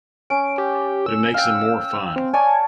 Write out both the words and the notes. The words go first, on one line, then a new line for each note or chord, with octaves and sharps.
But it makes them more fun!
C#4 D7
G4
E6
F5 G5
C4
C#5 D5 G#5 A5